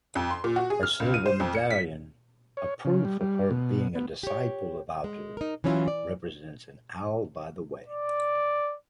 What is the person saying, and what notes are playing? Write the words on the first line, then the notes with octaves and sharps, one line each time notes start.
Her silver medallion, a proof of her being a disciple of Aldur, represents an owl by the way.
F2
C6
A#2
F#4
G#4
F6
C#2
D#7
C5
F2
C#7
B6
C#5
C#3
G3
G3
B2
B3
G4 C#5
G#3
D#4 A#4
E3 F#3 C#4 D4 E4 F4
D5
D5